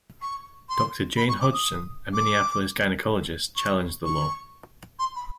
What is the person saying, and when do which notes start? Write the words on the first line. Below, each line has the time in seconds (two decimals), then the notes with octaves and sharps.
Doctor Jane Hodgson, a Minneapolis gynecologist, challenged the law.
0.22 C#6
0.69 C6
1.17 B5
1.29 C#6
1.41 D6
1.53 D#6
2.14 D6
3.56 C#6
4.05 C#6
4.99 C6
5.16 B5